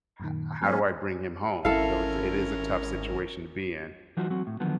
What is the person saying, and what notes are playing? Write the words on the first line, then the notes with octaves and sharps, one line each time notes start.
h how do I bring him home? So it's it is a tough situation to be in.
F#2 A#2 D#3
F#3 A#3 C#4 C#6
G#1 C#4 E4 A4 A#4 E5 F5
E3 F#3 D#4 F4 F#4
F#3 C4 F#4
A2
D3 D#3 F3 F#3 B3